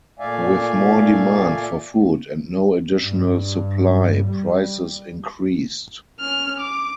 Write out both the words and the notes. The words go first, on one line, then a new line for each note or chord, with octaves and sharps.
With more demand for food and no additional supply, prices increased.
A#2 A3 D5 E5 F5 G#5
G2
G3
C#4 F6
D6